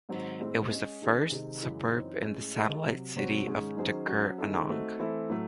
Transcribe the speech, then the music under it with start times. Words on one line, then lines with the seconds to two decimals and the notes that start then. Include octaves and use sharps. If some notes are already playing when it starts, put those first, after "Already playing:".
It was the first suburb in the satellite city of Tuggeranong.
0.09 G#2 D#3 F#3 C4
0.40 A2 G#3 C4
0.71 G#3 C#4 G#4 D#5
1.02 D#3 G#3 C#4 G#4
1.31 C3 D#3 G#3 D#4
1.62 F#2 C#3 E3 G#3
1.93 F#2 E3 C4 D#4
2.24 A2 G#3 C#4
2.54 G#3 D#4 A4 D#5
2.85 C3 F#3 C4
3.16 C3 F#3 C4 F#4 C#5
3.47 G#2 D#3 G#3 C#4 G#4
3.77 D#3 F#3 C#4 G#4 C5
4.07 F#3 C#4 F#4 C5
4.38 D#3 G#3 C#4 E4 A4
4.69 A3 C4 D#4 F#4
4.99 E3 A3 C4 E4 A4
5.30 A2 F#3 A3